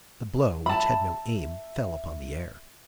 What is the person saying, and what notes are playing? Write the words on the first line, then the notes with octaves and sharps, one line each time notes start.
The blow, which had no aim, fell upon the air.
E5 A5 B5